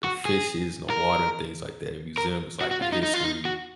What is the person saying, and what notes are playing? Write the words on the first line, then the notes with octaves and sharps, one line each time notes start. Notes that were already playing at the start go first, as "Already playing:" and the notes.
the fishes and the water and things like that. In museum, it's like the history.
F#4
G#4
A#4
A#4
F#4
F#4
F4
D#4
D#4
F4
D#4
F#4